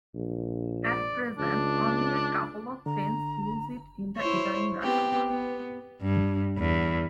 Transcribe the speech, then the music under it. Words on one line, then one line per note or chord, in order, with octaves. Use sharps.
At present, only a couple of trains use it in the evening rush hour.
A#1
D5
C#2 D4
D3 A#5
E4 C5 C#5
B3 C4 G4
B3
G2
E2